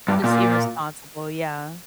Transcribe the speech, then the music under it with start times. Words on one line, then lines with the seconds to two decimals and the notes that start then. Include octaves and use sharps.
Just irresponsible, yeah.
0.08 G2
0.24 A#2